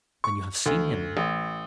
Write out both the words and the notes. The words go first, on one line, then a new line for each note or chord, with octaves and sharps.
"Then you have seen him?"
C#6
D2
A1